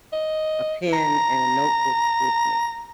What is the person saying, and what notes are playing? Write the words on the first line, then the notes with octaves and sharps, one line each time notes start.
a pen and a notebook with me
D#5
A#5